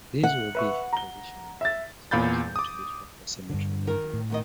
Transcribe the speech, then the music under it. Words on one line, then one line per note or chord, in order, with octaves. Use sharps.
These will be positioned so as not to disrupt the symmetry of the bridge.
F#5
B4 E5 C#6
A#5 G7
E5 A6
E2 A#2 F5 B5 G6 A6
D6 D#6
G2 D3
D#3 A#4
A2
D2 D#3 D#5